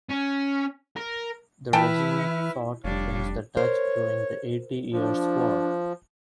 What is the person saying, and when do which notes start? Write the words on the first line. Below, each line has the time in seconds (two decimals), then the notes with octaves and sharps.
The regiment fought against the Dutch during the Eighty Years' War.
0.10 C#4
0.96 A#4
1.73 E3 E4 B4 E5 G5 A5 F6
2.84 F1 G3 D4 C#5 F5
3.57 A#4 C5 C#5
4.93 F3 D4